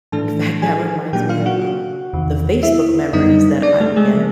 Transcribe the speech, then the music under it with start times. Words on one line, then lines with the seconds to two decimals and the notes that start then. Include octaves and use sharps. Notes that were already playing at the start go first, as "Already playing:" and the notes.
in fact, that reminds me of, um, the Facebook memories that I will get
0.12 A2 E3 A3 D4 A4 A5
0.62 G#4 G#5
1.13 A#2 F#3 A#3 D4 G4 G5
1.29 F4 F5
1.46 F#4 F#5
2.13 E2 C3 D#3
2.63 E4 E5
3.13 F#2 D3 G3 B3 D#4 D#5
3.63 D4 D5
3.80 A3 A4
3.96 G#3 G#4
4.13 C#3 F3 A#3